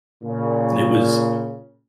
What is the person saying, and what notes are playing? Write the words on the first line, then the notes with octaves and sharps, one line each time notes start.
it was
A#2 C#3